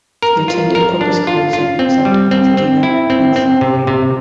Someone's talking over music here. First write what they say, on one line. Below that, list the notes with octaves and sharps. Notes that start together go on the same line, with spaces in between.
He attended public schools in South Pasadena and San Marino.
A#4
F4
A#4
D4
F4
F4
C4
G3
C4
C4
E4
C4
C4
C3
C3